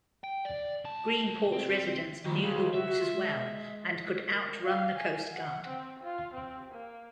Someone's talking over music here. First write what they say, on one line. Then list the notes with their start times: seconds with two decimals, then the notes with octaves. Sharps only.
Greenport's residents knew the waters well and could outrun the coastguard.
0.24 G5
0.45 D5
0.85 C#2 A5
1.53 C4
1.70 C4
2.25 A2 D#3
2.42 C#2 G#4
2.74 F#4 E5
3.00 F4
3.16 G#3
4.29 A#4
4.62 F5
4.97 G#5
5.33 F#5
5.67 C4
6.03 F4
6.33 C4
6.71 A#3